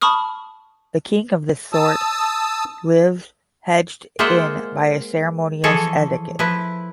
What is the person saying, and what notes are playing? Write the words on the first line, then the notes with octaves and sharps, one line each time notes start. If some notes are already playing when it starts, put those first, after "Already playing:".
A king of this sort lives hedged in by a ceremonious etiquette.
A5 B5 C#6 D#6 F6
A5 D#6 E6
G#3 A#3 F4 C5 E5 F#5
E3 F3 G#4 A4 C#5
F3 E4 B4